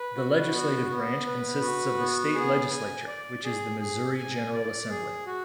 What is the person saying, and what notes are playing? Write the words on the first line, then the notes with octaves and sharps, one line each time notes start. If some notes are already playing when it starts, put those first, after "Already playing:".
The legislative branch consists of the state legislature, which is the Missouri General Assembly.
Already playing: B4
F#4
B3
B3
B4
F#4
B3
G#4
G#5
D5
G#4
G#4
G#5
D5
G#4
F#4